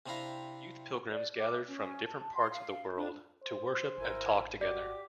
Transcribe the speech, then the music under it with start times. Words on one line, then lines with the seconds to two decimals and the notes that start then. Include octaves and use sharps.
Youth pilgrims gathered from different parts of the world to worship and talk together.
0.06 C3 C4 D4 E4 F5 A#5
1.09 D5
1.37 D6
1.67 C#4
2.05 A5
2.35 C6
2.51 F5
2.95 D4
3.43 C5
3.98 G#1 E4 A#4 G#5
4.61 F#4 G4 D5 D6